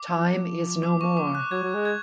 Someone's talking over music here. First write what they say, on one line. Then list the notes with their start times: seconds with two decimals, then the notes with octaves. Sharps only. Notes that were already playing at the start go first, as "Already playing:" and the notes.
Time is no more.
Already playing: D6
0.16 F3
0.83 D6
1.01 C#6
1.17 D6
1.35 F#6
1.51 F#3 G#6
1.63 F#3
1.74 G#3
1.85 G#6